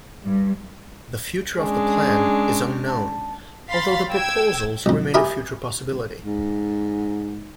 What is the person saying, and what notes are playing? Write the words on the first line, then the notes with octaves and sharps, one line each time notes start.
The future of the plan is unknown although the proposals remain a future possibility.
G2
G#3 C#4 D4 G#4
A5
F5 B5 C6 A6 B6
G5 E6 G#6
B1 F2
G4 G#4 A#4 E5 B5 D6
G#2